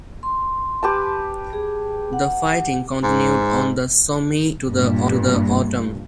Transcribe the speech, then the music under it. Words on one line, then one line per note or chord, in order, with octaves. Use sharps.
The fighting continued on the Somme into the Autumn.
C6
G4 B4 A5
G#4
F#5
G#2
G2 A#2